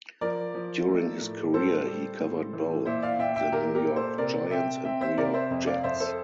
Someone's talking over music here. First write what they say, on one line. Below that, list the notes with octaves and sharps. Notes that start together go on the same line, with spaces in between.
During his career he covered both the New York Giants and New York Jets.
F3 A#4 D5
F3
A3
A2
G3 A4 C5
G3
A2
E3
A#2 C5 E5
D5 F5
A#2 E5 G5
E5 G5
A#2 G4 A#4
G4 A#4
A#2
A4 C5
C3 A#4 D5
C4 E5 G5
C4 E5 G5
C5 E5
C3 A#4 D5
C5 E5
F2
D5 F5
F2 C5 E5
A4 C5